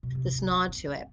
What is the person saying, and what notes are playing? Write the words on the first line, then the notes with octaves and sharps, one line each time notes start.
this nod to it.
B2
C3
A3
B3
C4
B3
A3